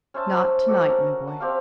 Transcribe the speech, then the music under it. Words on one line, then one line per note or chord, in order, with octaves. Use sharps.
"Not tonight, my boy."
C#4 C5 E5 A5
F#4 A4 D5
C#4 A#4 F#5
F#5 A5
C4 G4 D5 F5